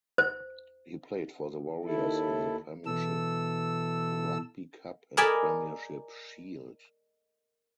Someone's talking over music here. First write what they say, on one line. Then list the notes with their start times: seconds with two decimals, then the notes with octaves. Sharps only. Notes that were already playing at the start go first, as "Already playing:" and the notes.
He played for the Warriors in the Premiership Rugby Cup and Premiership Shield.
0.18 C5
1.85 D#2 E4 A4
2.86 B2 E3 A4 E6
5.17 A#4 D5 D#5 G#5 A5 B5